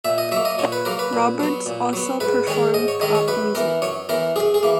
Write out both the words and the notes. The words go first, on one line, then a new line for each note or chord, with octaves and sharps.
Roberts also performed pop music.
A#2 E5
D#5
F#3 A#3 E5
D#5
A#2 C#5
B4
F#3 A#3 A#4
B4
A#2
F#3 B3
A#2
F#3 B3
G#2 B4
D#3 G#3 C#4 C#5
G#2 D#5
C#5
D#3 G#3 C#4 D#5
C#5
F#2 B4
E3 B3 A#4
F#2 C#5
E3 B3 A#4
F#2 G#4
G#4
E3 A#3